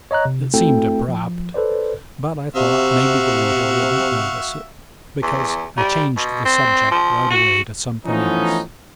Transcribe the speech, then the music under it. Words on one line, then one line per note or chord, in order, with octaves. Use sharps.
It seemed abrupt, but I thought maybe the reader wouldn't notice it, because I changed the subject right away to something else.
C#5 D#5 A#5 F#6
C3
A3 C4 E4 F#4 A4 G5
F3
A4 B4 C5 D5
C3 F#4 E5 F5
E2
G3
B2
C4
F3
F#4
E3 F3 A3 B3 C#4 D#4